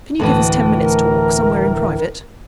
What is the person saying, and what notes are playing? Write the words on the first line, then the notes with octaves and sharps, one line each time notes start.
Can you give us ten minutes' talk, somewhere in private?
D2 A2 E3
A#4